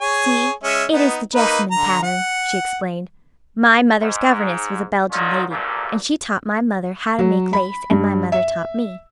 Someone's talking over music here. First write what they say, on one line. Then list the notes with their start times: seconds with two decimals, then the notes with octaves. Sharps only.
"See, it is the jessamine pattern," she explained. "My mother's governess was a Belgian lady, and she taught my mother how to make lace and my mother taught me."
0.01 G#4 C#5 G#5
0.63 G#3 C#4 E5
0.92 B3 D#4
1.35 A#3 D#4 B4
1.71 D3 A#5
2.03 F#5
3.99 G#2
5.11 D3 D#3 F#3 C#4 D#4 F4
5.50 D2 G2 A#2 C#3 A3 A#3
7.19 F#3
7.53 B5
7.91 G2
8.32 E5